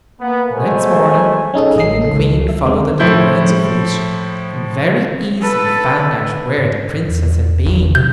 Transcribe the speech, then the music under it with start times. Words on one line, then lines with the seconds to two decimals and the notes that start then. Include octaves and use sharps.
The next morning the King and Queen followed the little grains of wheat and very easily found out where the Princess had been.
0.21 A#3 B3
0.53 E2 F#3 G#3 A3 C5 G#5
1.54 C#4 D#4 G#4 A4
1.76 A1 D#5 C7
2.02 C#2 A4
2.49 E5
2.65 D#2 G#3 C4
2.99 A2 F3 E4 G6
5.41 A4 B4
6.58 G#2
7.08 E2
7.66 G#1
7.95 C3 G6